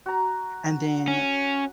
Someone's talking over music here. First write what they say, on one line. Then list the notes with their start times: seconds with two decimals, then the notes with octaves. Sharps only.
and then
0.06 F#4 A#5
1.08 C#4